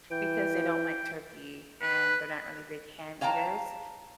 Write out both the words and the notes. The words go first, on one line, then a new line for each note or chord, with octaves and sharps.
because they don't like turkey, and they're not really big ham eaters,
E3 G5
B4
C#5 F5 G5 A5 A#5